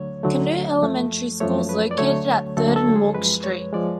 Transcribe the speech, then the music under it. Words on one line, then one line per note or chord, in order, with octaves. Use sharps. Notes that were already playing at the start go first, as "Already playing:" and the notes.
Canute Elementary School is located at Third and Walk Street.
Already playing: D2 D3 F#3 A3 C#5
D2 D3 F#3 A3
F#2 F3 A3
F#2 F3 A3 C#5
B4
D5
D2 D3 F#3 A3 C#5
D2 D3 F#3 A3 A4
A4
G#4
F#2 F3 G#3 B4
C#5
F3 G#3 D5